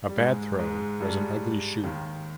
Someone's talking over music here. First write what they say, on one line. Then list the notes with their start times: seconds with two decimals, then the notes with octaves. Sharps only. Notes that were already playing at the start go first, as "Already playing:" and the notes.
A bad throw was an "Ugly Shoe".
0.09 G3
0.18 G#2 G#3
0.59 G#2 G#3
1.00 G2 G3
1.84 D#2 D#3